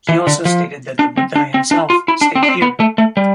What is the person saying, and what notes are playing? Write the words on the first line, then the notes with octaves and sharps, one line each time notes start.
He also stated that the Buddha himself stayed here.
E3
D3
F3
D4
C4
D4
C4
D4
F4
E4
D4
C4
D4
C4
B3
A3
A3
G3